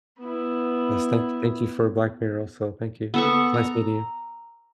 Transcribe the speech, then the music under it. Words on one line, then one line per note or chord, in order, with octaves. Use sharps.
Yes, thank thank you for Black Mirror, also. Thank you. It's nice meeting you.
B3 E4
B3 A4 C#6
A#5